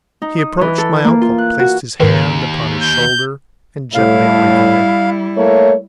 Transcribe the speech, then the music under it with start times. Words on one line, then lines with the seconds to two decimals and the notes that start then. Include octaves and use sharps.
He approached my uncle, placed his hand upon his shoulder, and gently awakened him.
0.22 D#4
0.39 D#6
0.61 E3
0.78 A4
1.05 A#3
1.21 F4
1.38 F#6
1.59 F#4
2.00 D#2 G#2 D#3 A#4 B4
2.82 G6
3.95 A2 G3 E4 F5
5.36 A3 A#3 C#5